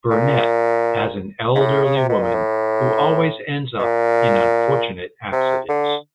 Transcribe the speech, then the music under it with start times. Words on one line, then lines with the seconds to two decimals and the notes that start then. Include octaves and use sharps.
Burnett as an elderly woman who always ends up in unfortunate accidents.
0.11 A#2
1.55 G#2
1.60 A2
1.84 C#3
1.96 C3
2.09 B2
2.22 A#2
2.35 A2
3.78 B2
3.84 A#2
5.32 C3
5.69 D3